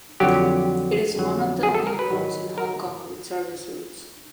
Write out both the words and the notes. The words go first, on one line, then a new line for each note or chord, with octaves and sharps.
It is one of the only roads in Hong Kong with service roads.
F2 D3 F#3 G4
F2 D3 F#3
G#4
A4
A#4
B4
G#2 D#3 F#3
A#4